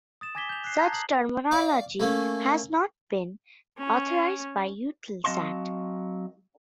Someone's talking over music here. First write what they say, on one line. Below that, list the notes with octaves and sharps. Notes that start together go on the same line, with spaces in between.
Such terminology has not been authorised by Eutelsat.
D#6 A6 E7
G#5 D6 G#6 A#6 B6 G7
G6 F7
F#6 C7
A5 A#5 G6 G#6 A#6
D#6 C7 F#7
D5 F5 C#6 D6
A3 A#3 C#4
C#4
F#3 C4 D#5 F5 A5 C6